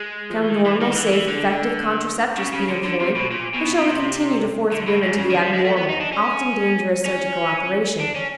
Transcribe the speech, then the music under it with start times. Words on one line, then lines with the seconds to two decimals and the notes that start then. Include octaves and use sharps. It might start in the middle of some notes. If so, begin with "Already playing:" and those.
Shall normal, safe, effective contraceptives be employed, or shall we continue to force women to the abnormal, often dangerous surgical operation?
Already playing: G#3
0.31 F3
0.40 E3
0.50 D#3
0.66 E3
0.81 D#3
0.97 E3
1.12 E3
1.28 D3
2.37 C#3
2.53 C#3
2.69 D3
2.84 D3
3.00 C3
3.16 B2
3.31 A#2
3.54 B2
3.78 C3
4.72 D3
4.87 A2
5.03 G#2
5.19 C#3
5.30 D3
5.42 G3
5.53 G#3
5.65 A3
5.77 B3
5.89 D#4
6.00 D4
6.12 C#4
7.06 C#4
8.00 D4
8.15 C#4